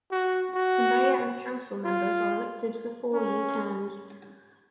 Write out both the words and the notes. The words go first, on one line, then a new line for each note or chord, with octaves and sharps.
The mayor and the council members are elected for four-year terms.
F#4
F#4
F4
C#4